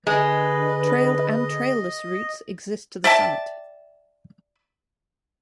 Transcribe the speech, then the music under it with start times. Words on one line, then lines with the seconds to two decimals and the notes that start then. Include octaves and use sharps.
Trailed and trailless routes exist to the summit.
0.07 D3 G#3 B4 D#5
3.04 D5 E5 G5 A5